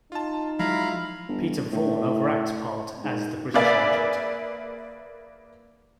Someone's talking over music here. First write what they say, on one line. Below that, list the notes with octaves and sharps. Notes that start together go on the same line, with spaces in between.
Peter Vaughan overacts part as the British agent.
D#4 F4 A5
F3 F#3 G#3 E4 F4 F5 A#5 B5
G1
A2
G#2
A#3 G#4 B4 D5 E5